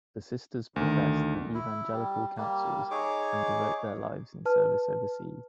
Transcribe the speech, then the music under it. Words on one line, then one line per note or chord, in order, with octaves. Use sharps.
The sisters profess the evangelical counsels and devote their lives in service overseas.
D2 D#3
E4
G3
G3 A#3
D#4 G#4 C#5 D6
B4 A5 F6